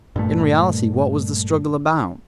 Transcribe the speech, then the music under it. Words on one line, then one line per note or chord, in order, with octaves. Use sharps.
In reality, what was the struggle about?
G2 A#2 A3